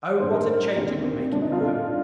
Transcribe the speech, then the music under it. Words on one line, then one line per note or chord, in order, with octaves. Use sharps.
O what a change it would make in your home!
A1 G2 D#3 C5
A#4
D2 C3 D#3 G4
C4
C4
G1 F2 D3 D4
D#4
F4
A4